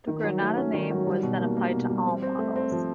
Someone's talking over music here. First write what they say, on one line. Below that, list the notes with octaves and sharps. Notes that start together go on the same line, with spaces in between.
The Granada name was then applied to all models.
D#3
F#3
A3
C#4
D#3
F#3
G3
B2
A#3
A#3
B2
G3
C4
C4
A3
C4
F3